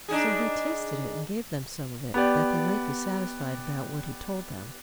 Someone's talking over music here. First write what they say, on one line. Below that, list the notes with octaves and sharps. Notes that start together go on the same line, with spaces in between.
So he tasted it, and gave them some of it, that they might be satisfied about what he told them.
D4 D#4 G#4
B3 G4 D5